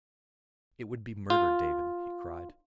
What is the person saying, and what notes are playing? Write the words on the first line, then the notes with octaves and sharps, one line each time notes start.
"It would be murder, David," he cried.
F4